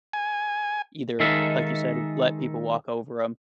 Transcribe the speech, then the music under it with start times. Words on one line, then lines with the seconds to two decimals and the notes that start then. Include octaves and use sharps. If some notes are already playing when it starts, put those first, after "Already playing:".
either, like you said, let people walk over them
0.13 G#5
1.20 D#3 G#3 D#4 A4 E5 F5